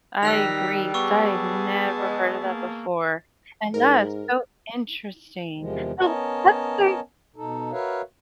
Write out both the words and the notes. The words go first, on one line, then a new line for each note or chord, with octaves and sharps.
I agree, 'cause I have never heard of that before. And that is so interesting. Oh, what state
D#3 G3 E6 F#6 A#6 B6 F7
B3 G#4 A5 C#6 D6 E6
G#3
A#3
G#2 A#4
E2 C3 D#3 F3 G#3
B3 C#4 A#4 C#5 D#5 A5
B2 D#4 A4
F#4 A#4 B4 C#5 E5 F5